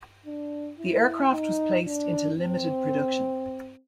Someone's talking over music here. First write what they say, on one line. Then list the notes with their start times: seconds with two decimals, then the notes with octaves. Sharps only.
The aircraft was placed into limited production.
0.26 D4
0.79 E4
1.32 D#4
1.85 D4
2.38 C4